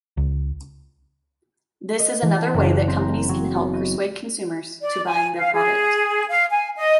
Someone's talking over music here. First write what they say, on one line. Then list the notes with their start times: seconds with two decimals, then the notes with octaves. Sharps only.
This is another way that companies can help persuade consumers to buying their product.
0.17 C#2
1.99 D#5
2.22 E3
2.38 A5
2.54 F#1
2.72 F#6
2.88 C4
3.01 A#5
3.29 F#3
3.54 B3
3.74 D#5
4.81 D5
5.07 G#5
5.36 F5
5.54 G#4
6.30 F5
6.50 G#5
6.76 D#5